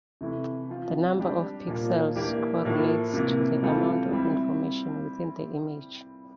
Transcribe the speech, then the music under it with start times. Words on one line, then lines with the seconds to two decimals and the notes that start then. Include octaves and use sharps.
The number of pixels correlates to the amount of information within the image.
0.21 C3 E3 A3 E4
0.69 F3 C4 F4
1.18 G3 D4 G4
1.67 A#2 F3 A#3 F4
2.15 E3 A#3 D4 G4
2.65 A2 F3 A#3 E4
3.14 C3 E3 A#3
3.63 E3 G3 C4 F4 A4
4.12 G3 C4 E4